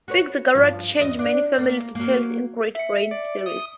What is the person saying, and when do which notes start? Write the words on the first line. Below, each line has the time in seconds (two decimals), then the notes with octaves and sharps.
Fitzgerald changed many family details in the Great Brain series.
0.08 F#4 B4 C#5
0.54 G2 F3
0.99 E2 D#5
1.19 D4
1.58 A#3
1.95 F#3 A#3
2.75 E5 C#7
3.11 D5
3.46 D#6